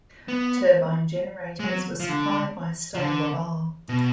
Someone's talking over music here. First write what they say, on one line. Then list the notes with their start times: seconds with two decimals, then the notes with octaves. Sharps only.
Turbine generators were supplied by Stal-Laval.
0.28 B3
1.60 G#3
1.64 F#3
2.00 F3
2.09 D3
2.95 F3
2.99 D3
3.89 B2